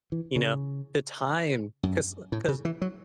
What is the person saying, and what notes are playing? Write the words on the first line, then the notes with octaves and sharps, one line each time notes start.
you know, the time. 'Cause l 'cause,
E3
C#3
F#2
A2
C#3
E3
F#3